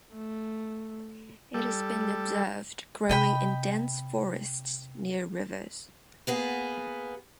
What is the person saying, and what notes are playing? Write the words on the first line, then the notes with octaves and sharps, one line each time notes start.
It has been observed growing in dense forests near rivers.
A3
G3 A4
C3 D#5 G5 B5
A#3 B3 G#4